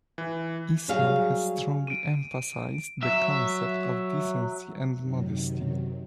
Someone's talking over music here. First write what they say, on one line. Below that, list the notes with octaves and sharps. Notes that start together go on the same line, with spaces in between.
Islam has strongly emphasized the concept of decency and modesty.
E3
F#3 G3 G#4 F5
D7 D#7
F#3 E5
F#2 C3 D#3 F#3